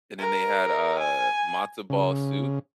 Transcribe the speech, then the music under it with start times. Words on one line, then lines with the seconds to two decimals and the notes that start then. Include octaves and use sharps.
And then they had, uh, matzo ball soup.
0.19 A#4
1.00 G#5
1.90 C#3